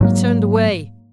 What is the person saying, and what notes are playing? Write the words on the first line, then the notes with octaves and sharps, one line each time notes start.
He turned away.
G#2 F#3 A#3